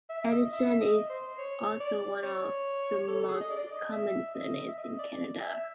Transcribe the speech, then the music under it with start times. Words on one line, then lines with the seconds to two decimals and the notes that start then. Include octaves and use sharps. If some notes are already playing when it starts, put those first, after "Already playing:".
Anderson is also one of the most common surnames in Canada.
0.09 E5
0.31 D#5
0.53 E5
0.81 D#5
1.09 C5
1.38 C#5
1.80 D5
2.23 C#5
3.08 A4
3.28 G#4
3.41 D#5
3.50 D5
3.72 D#5
3.92 E5
4.34 D#5
4.68 E5
4.78 D#5
4.99 D5
5.41 E5